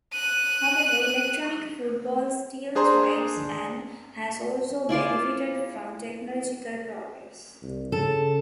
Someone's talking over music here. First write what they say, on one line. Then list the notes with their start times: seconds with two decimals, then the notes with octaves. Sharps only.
However, electric football still thrives and has also benefited from technological progress.
0.13 F#6 D#7
2.75 D4 G#4 C5 A#5 C6
4.89 E4 F4 D5 F5
7.62 C2
7.92 C#3 A4